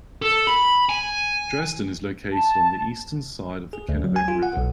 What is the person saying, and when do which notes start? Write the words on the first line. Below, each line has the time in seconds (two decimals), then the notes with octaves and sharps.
Dresden is located on the eastern side of the Kennebec River.
0.22 A4
0.47 B5
0.89 G#5
2.32 A5
3.73 G#4
3.89 D2
4.04 F#3
4.16 G#5
4.28 F4
4.43 F#5
4.57 B1